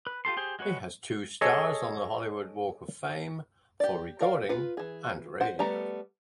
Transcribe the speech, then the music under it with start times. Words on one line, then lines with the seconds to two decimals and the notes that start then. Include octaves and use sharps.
He has two stars on the Hollywood Walk of Fame; for recording and radio.
0.07 B4
0.25 F4 G4 A4 C6
0.37 G4 G#4 C5
0.59 G#3 F#4 B4 C#5
1.41 G#4 A4 C#5 D#5
3.80 G4 D5
4.20 A#4 D5 F5
4.49 F4 B4
4.77 E3 G#4
5.41 C5 F#5
5.59 G3 A3 B3 A#5